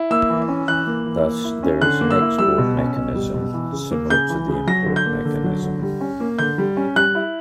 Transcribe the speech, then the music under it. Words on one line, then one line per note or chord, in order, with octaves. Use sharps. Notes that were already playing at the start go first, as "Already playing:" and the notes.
Thus there is an export mechanism similar to the import mechanism.
Already playing: E4
A#3 E6
E3
C#4
E3 F#6
A#3
E3
A#3
E4
C#4
D3 F#6
A#3
E6
E4
G3 E6
B2
C#4
B2
G3
B2
E3
C#3
A#3
C#3 G6
E3
C#3
F#3 A#6
D3
G6
A#3
D3
F#3
D3
G3
C#4
A#3
D3 G6
G3
C#4
G3 F#6
E4